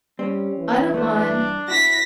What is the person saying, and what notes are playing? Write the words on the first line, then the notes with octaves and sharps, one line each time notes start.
"I don't mind."
G3 C4 C#4
E3
A3 B3 D4 C5
G2
E4 F#4 A#6 B6